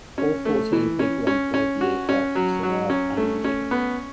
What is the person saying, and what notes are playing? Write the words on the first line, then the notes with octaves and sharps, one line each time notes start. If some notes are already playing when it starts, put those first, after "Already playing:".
All fourteen people on board the aircraft survived uninjured.
C#4
A3
E3
C#4
C#4
C#4
F#4
C#4
F#3
F#3
C#4
A3
C#4
B3